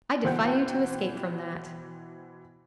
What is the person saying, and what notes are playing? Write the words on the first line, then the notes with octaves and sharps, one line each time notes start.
I defy you to escape from that.
B2 E3 C5 F#5 G5 G6